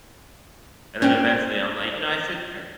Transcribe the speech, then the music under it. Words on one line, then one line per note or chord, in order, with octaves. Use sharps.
and then eventually I'm like, "You know, I should care."
C#4 C5 G5